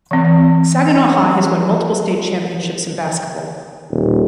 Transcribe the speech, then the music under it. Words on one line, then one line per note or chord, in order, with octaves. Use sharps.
Saginaw High has won multiple state championships in basketball.
E3 C4
D#1